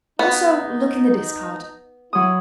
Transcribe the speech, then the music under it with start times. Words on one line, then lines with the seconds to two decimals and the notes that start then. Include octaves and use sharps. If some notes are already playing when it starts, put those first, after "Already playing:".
Also look in the discard.
0.19 B3 D#4
2.13 F#3 E4 D#6